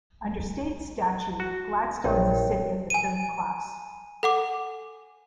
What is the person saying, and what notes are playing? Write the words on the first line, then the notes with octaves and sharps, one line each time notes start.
Under state statute, Gladstone is a city of the third class.
F#4
A#1 A#4 C#5 G5
G#5 D#7
A4 F#5 D6